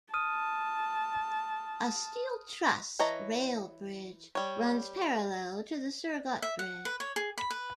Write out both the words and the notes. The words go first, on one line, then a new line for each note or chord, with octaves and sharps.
A steel truss rail bridge runs parallel to the Surgut Bridge.
A5 D#6 F6 D#7
E3 C#5 D#5 A5 A#5
G3 C#5
E5
F#5
B4
C#5
G#4
B5
B4